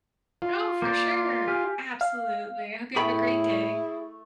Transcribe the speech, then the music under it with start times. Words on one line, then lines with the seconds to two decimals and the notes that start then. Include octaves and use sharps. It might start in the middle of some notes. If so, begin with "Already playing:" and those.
Oh, for sure. Absolutely. I hope you have a great day.
0.42 F4
0.82 A#3 C5 D5
1.47 G4 G#5 F6
2.01 F5
2.96 A2 A3 E4 G#4 G5 B5